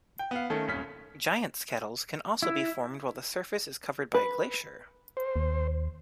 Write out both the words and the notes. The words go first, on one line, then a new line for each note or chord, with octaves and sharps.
Giant's kettles can also be formed while the surface is covered by a glacier.
G5
B3 F5
D#3 A3 C#4 A4
D#1 G#1 C#4 F6 B6
E4
B4
C5
D#2